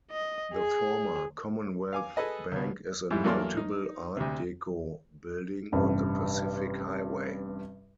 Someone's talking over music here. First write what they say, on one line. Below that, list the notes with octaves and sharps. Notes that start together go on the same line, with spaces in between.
The former Commonwealth Bank is a notable art deco building on the Pacific Highway.
D#5
G#4
F5 G#5 D6
G#4 A4 B4 D#5 G#5
C#2 B2
G#2 G3 E4
E2 F#3 A#3 A4 D5 C6
D#4
D2 C3
A1 G2 C3